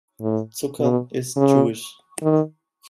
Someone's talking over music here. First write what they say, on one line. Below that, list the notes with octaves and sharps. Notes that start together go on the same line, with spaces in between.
Zucker is Jewish.
A2
B2
C#3
D#3